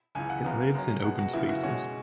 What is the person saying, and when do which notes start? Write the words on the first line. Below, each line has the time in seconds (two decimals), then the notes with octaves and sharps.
It lives in open spaces.
0.15 C#2 C#3 E3 G#5
0.30 F#5
0.44 F#2 C#3 F#3 B3
0.74 F#2 F#3 C#4
1.04 B2 G#3 B3 F#5
1.19 F#4
1.33 F#2 C#3 E3 B3 E4
1.49 F#4
1.63 B2 G#3 C#4 F#4